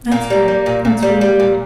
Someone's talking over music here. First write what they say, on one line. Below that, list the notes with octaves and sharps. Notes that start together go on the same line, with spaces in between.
That's good. That's really good.
A#2 A#3
G3
G3
A#2
A#2
G3
G3
A#2